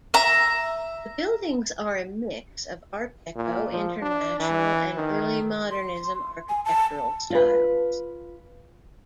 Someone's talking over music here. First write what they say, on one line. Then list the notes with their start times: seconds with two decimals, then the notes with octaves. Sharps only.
The buildings are a mix of Art Deco, International, and early Modernism architectural styles.
0.14 E5 A#5
3.36 A#2
3.72 F3
4.02 D4
4.40 E3
4.96 D#3
5.71 C6
6.49 G#5
6.65 A5
7.30 F4 B4